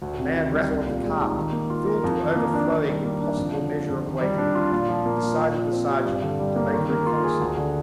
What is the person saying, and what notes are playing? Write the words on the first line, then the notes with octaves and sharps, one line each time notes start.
The mad rattle of the cart, filled to overflowing the possible measure of waiting, and decided the sergeant to make a reconnaisance.
D2
C3
D#3
G3
C2
A#2
G#3
D#4
D#3
A#3
F4
A#4
F2
D#3
A#3
D4
D#3
G3
A#3
D4
F2
D3
F3
F2
D#3
G3
D4
F4
A#2
F3
A#3
A#2
A#2
F3
C4
G4
G2
D3
G3
A#3
D#3
A#3
F4
G#4
D2
D3